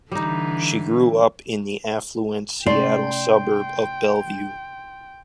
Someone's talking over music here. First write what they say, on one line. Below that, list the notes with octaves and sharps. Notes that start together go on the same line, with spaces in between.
She grew up in the affluent Seattle suburb of Bellevue.
D3 E3 G3 D#4
C3 A3 C#4 D5 G5 C6